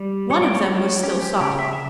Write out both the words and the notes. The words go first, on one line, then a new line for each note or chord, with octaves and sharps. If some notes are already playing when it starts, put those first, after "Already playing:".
One of them was still soft.
Already playing: G3 D5
F#3 C#5
D5
C#5
F#3
C#4 G4
G4
C#3 G4
E5
E5